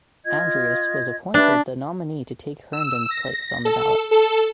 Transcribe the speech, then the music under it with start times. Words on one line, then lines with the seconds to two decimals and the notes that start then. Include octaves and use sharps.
Andrus was appointed the nominee to take Herndon's place on the ballot.
0.25 F4 D#5 G#6
1.34 D4 G4 B4 E5
2.73 E6
3.11 A#6
3.65 A4
4.11 A4